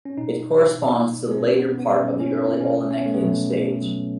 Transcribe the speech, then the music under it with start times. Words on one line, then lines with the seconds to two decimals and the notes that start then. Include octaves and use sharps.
It corresponds to the later part of the early Olenekian stage.
0.05 C#4
0.17 B2 D#4
0.78 B2
1.31 B3
1.38 B2 C#4
1.59 B3
1.79 B3
2.00 B2 C#4
2.20 C#4
2.30 D#4
2.53 B3
2.61 B2 C#4
2.91 C#4
2.98 B3
3.06 A3
3.14 B3
3.21 B2 A3
3.82 B2 F#3